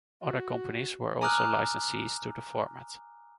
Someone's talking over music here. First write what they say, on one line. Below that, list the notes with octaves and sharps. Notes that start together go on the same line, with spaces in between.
Other companies were also licensees to the format.
F#4
G#5 A#5 D6 D#6 F6 F#6